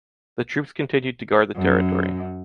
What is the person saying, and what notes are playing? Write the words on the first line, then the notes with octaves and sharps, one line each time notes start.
The troops continued to guard the territory.
F#2